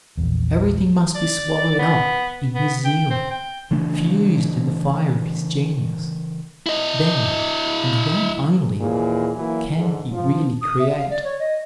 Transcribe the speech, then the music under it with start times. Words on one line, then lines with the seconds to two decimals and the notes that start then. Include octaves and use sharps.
Everything must be swallowed up in his zeal, fused in the fire of his genius,--then, and then only, can he really create.
0.17 A#1 E2
1.15 D5
1.79 B3
2.55 B3
2.85 G5
3.11 C4
3.31 G5
3.71 C#3 E3 A3 D4
6.66 E4 D#5
8.80 D#2 A#2 E3 G#4
9.36 E3 F#3 A#3 E4
9.76 G#2 D3
10.13 F3
10.61 D#6
10.79 E5
10.96 F5
11.10 D5
11.24 C#5
11.39 D#5